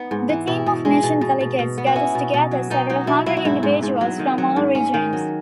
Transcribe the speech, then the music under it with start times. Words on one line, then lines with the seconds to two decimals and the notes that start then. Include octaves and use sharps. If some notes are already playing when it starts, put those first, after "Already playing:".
The team of mission delegates gathers together several hundred individuals from all regions.
Already playing: B3 D#4
0.11 G#2
0.29 E3
0.47 B2 E4
0.66 B2
0.85 G#3
1.03 B2
1.21 B2
1.41 B2
1.59 B2
1.78 B3
1.87 F#4
1.96 C#4 E4
2.15 B2
2.34 B2
2.51 F#3
2.70 B2 D#4
2.89 F#3 D#4
3.07 B2 E4
3.26 F#3 E4
3.37 F#4
3.45 G#2 E4
3.63 G#2
3.83 G#2
4.01 F#3
4.19 D#3
4.38 F#3
4.56 G#2
4.75 C#4
4.94 D#3
5.13 F#3